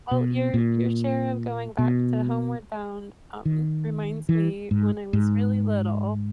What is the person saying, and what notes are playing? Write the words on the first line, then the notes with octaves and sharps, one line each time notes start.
Well, your your share of going back to Homeward Bound, um, reminds me when I was really little,
B2
A#2
B2
D#3
E3
G#2
G#2